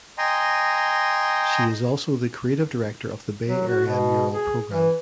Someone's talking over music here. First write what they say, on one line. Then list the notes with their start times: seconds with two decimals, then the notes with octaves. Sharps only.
She is also the creative director of the Bay Area Mural Program.
0.18 D#5 G5 G#5 A#5 C6
3.48 F#3
3.68 F#4
3.86 B2
4.32 G#4
4.71 E3